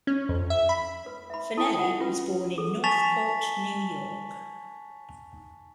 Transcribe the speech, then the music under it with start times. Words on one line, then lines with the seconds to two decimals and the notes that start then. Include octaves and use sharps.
Fanelli was born in Northport, New York.
0.07 C#4
0.29 F2
0.50 E5
0.69 B5
1.06 B4
1.30 E5 B5
1.57 E4 A4 A5 C#6 D#6
1.78 F4 F#5
2.00 C#4 F4 F#4 B4
2.58 G#4 A4
2.84 G#5 A5 C#6 A6 B6 F7